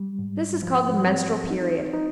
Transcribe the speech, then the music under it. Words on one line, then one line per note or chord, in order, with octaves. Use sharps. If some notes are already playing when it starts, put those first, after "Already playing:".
This is called the menstrual period.
Already playing: G3
G#2
F3
C4
D#4
D#4